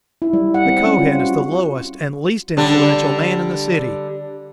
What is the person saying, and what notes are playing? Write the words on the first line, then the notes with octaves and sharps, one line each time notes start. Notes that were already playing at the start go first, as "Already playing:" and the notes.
"The Kohen is the lowest and least influential man in the city."
E4
G3
F#5
C4
C#4
F4
F#4
D3 G3 D4